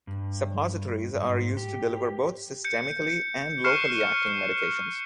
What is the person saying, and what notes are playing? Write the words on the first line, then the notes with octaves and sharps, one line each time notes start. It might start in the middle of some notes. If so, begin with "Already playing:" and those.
Suppositories are used to deliver both systemically and locally acting medications.
G2
G#2
G4
G6 C#7
C#6 F6 F#6 C7 C#7 E7